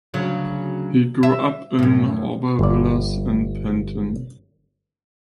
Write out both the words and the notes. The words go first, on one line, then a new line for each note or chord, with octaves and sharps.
He grew up in Aubervilliers and Pantin.
D2 C#3 F#3
E5
F#2 A2
G1 D5